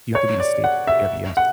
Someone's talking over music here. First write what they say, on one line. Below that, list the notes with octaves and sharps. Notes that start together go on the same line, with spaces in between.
you have to be in a state to forgive, yes.
C#5
D5
F#5
E5
F#5